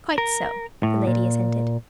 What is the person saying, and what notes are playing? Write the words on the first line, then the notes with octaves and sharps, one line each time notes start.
"Quite so," the lady assented.
A#4
A2
A#2